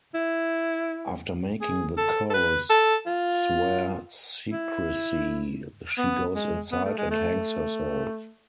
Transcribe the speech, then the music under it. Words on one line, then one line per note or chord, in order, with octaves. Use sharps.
After making the chorus swear secrecy, she goes inside and hangs herself.
E4
G#4
A4
A4
B4
A4
F4
E4
B3
G#3
B3
A3
G#3
A3